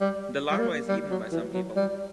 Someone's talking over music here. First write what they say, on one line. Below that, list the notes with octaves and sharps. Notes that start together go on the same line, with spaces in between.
This larva is eaten by some people.
G3
G3
A#3
G3
F#3
E3
F#3
G3